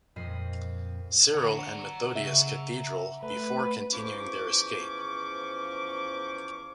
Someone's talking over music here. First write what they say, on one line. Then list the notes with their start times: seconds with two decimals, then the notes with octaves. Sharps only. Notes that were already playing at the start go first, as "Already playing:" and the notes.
Cyril and Methodius Cathedral before continuing their escape.
0.16 F2 A#2 D#5 B5 C7 D#7
1.34 D3 D4 F#5 A#5
2.15 C#3 E5
3.23 A3 B4
3.93 E2 F3 C#4 C5 C#6 D6